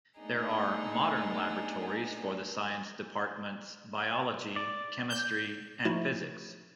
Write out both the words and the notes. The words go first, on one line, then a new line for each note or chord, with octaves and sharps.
There are modern laboratories for the science departments: Biology, Chemistry and Physics.
A3 B3 D4 D#4 G#4
D5
G6
F3 A3 D#4 E4 F#4